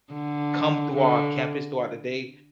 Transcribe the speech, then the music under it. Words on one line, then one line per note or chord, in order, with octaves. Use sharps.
come through our campus throughout the day
D3
D3